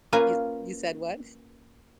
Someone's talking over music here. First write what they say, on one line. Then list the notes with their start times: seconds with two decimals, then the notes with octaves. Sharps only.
You you said what?
0.13 A#3 C#4 F4 B4 G#5 A#5